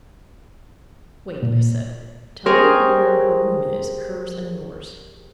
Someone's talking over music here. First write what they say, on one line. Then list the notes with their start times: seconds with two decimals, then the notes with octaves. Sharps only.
"Wait," I said, "tell me where her room is, hers and yours."
1.43 A#2
2.46 G4 G#4 A#4 C5 C#5 D#5